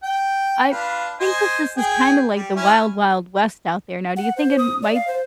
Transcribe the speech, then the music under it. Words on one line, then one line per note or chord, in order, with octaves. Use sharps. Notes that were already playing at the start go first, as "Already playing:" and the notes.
I think that this is kinda like the wild wild west out there, now do you think it m might
G5
D4 F4 B4
C5 D#5 G#5
G#4 G5
G3
C#4 E4
F#5
C5
D#6
D5
F5
C5